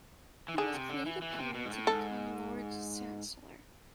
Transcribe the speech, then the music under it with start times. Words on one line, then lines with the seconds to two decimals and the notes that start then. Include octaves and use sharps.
He was created a peer to become Lord Chancellor.
0.48 E3
0.58 D3 G#4
0.74 C3
0.89 D3
1.06 E3
1.22 E3
1.33 B2
1.38 C3
1.54 B2
1.66 G#2
1.71 A2
1.87 G#2 A4